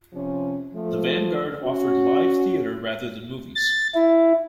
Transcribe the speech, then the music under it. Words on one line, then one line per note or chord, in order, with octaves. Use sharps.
The Vanguard offered live theater rather than movies.
C3 F3 C#4
F3 A3
C#4 F#4
A6
E4